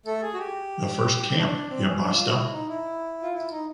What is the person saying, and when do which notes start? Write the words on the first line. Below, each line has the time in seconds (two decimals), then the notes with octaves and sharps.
The first camp ""Ya Basta!
0.06 A3 A4
0.22 G#4
0.34 F#4
0.39 G4
1.37 D4
1.70 C4
1.86 C#4
2.03 D4
2.14 F4
2.24 F#4
2.36 E4
2.52 D#4
2.69 E4
3.22 F4
3.34 E4
3.51 D#4